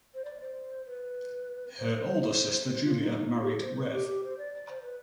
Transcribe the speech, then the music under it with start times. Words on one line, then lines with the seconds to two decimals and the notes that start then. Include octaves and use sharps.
Her older sister Julia married Rev.
0.14 C5
0.24 D5
0.40 C5
0.86 B4
1.77 C5
1.93 C5
2.70 C5
2.84 F4
3.01 D#4
3.16 D#4
3.30 F4
3.41 G4
3.51 G#4
3.61 C5
3.76 B4
3.92 G4
4.07 G4
4.23 C5
4.38 D5
4.54 D5
4.69 C5
4.82 B4